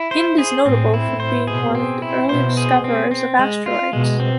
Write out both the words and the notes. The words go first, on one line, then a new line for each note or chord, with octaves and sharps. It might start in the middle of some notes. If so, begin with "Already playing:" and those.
Hind is notable for being one of the early discoverers of asteroids.
Already playing: E4
C5
G#4
A2 C4
E4
A2
C5
B2 G#4
C4
E4
B2 C5
G#4
C4
C4
G#3
F4
B2 G#3
C4